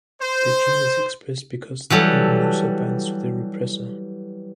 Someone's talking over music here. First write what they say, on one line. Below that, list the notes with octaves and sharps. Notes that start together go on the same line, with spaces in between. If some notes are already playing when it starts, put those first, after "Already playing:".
The gene is expressed because an inducer binds to the repressor.
C5
E3 F#3 G3 A4